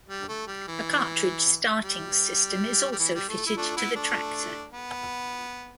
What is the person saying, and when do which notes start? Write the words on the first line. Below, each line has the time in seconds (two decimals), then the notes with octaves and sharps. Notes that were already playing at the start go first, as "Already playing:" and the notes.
A cartridge starting system is also fitted to the tractor.
0.09 G3
0.29 A3
0.47 G3
0.68 E3
1.83 G3
2.92 G3
2.99 E3
3.14 G3
3.29 A3
3.47 E4
3.57 A3 D4
3.76 B3 E4
3.96 A3 D4
4.73 B3